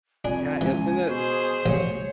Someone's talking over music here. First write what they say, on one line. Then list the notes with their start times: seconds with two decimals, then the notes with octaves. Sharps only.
Yeah, isn't it?
0.25 F2 D4 G#5
0.61 C#2 E3
1.09 B2 G#4 C5
1.66 A1 C#5 G#5